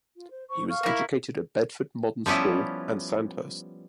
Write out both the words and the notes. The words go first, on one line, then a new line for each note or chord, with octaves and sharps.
He was educated at Bedford Modern School and Sandhurst.
F4
C5
C5 C#6
F5 C#6 F6
A#3 E4
F3 G3 B3 C#4 E4